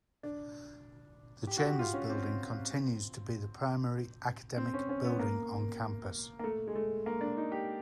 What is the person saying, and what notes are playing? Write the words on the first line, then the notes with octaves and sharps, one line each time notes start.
The Chambers Building continues to be the primary academic building on campus.
D4
G4
F#4
G4
F4
C#4
C4
C4
C#4
C#4
B3
A#3
A#3
A3
G#3
A3
A#3
D4
D#4
G4